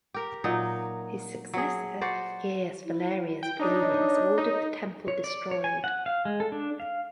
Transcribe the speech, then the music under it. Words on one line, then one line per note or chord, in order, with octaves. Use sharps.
His successor Gaius Valerius Paulinus ordered the temple destroyed.
G4 A#4
A#2 F#3 D#4
F#3 G#4
F#4 C5 D5
E4
G5
D4 D#4 C#5
D#4
C#5
D5
C#5
G#5
F#5
F5
G#3
A4
D4
F5